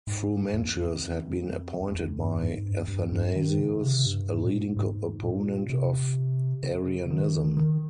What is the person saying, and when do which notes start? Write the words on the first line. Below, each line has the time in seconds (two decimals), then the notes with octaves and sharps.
Frumentius had been appointed by Athanasius, a leading opponent of Arianism.
0.07 G#2
0.54 F2
1.95 F2
2.18 G2
2.42 G#2
2.66 G2
2.88 G2
3.12 G2
3.35 D#3
3.59 C#3
3.83 C3
4.06 G2
4.30 G#2
4.43 A#2
4.53 G#2
4.76 G#2
5.23 A#2
5.70 C3
6.63 C#3
7.10 D#3
7.57 D#3